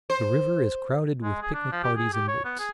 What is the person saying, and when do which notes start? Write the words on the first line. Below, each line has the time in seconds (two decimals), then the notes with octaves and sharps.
The river is crowded with picnic parties in boats.
0.10 C5
1.23 G#3
1.42 G#4
1.54 D4
1.72 F3
1.83 G4
1.97 G#4
2.13 G4
2.28 C#5
2.44 B3
2.59 G#4